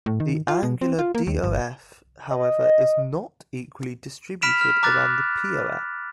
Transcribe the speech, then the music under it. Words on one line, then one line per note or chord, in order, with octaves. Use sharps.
The angular DoF, however, is "not" equally distributed about the PoF.
A2
D#3
F4
B2
C4
F4
A#3
D#2
G1
D#5
B5 F6 B6 D7 E7 F7
F6
A#5 D6 F#6 A6